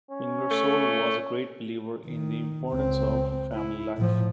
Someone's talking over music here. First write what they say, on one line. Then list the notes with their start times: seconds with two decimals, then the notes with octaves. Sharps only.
Ingersoll was a great believer in the importance of family life.
0.11 C#4
0.51 A3
2.08 D#3
2.69 C#2 C4
3.53 E4
3.97 A2 F3